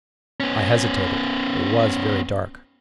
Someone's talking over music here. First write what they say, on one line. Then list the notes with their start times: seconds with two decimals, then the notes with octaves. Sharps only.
I hesitated: it was very dark.
0.40 B3 C#4